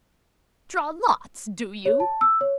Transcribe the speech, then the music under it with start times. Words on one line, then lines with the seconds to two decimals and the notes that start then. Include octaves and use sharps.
Draw lots, do you?
1.85 C#5
2.00 A5
2.21 E6
2.41 C#5